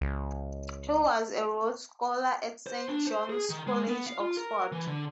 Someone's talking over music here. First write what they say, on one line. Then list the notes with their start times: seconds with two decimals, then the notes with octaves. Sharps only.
He was a Rhodes Scholar at Saint John's College, Oxford.
0.01 C#2
2.67 C5
2.88 D4
3.07 C5
3.29 G#4
3.50 D#3
3.67 G#3
3.88 B3
4.07 F5
4.20 F4
4.37 A#4
4.72 E3
4.87 D3